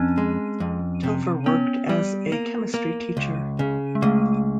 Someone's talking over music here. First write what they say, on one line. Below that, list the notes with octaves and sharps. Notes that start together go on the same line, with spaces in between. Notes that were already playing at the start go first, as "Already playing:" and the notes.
Telfer worked as a chemistry teacher.
Already playing: F2 C4 C#4
G#3
F2
C3
B3 C#4
G3
A#3
A#3
C#2
C#3
G#3
C#2 A3